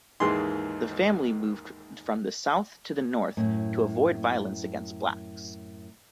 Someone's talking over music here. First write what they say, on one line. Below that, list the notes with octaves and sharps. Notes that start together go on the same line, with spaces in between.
The family moved from the South to the North to avoid violence against blacks.
D#2 G#2 D#3 E3 G#4 C6
F#2 A2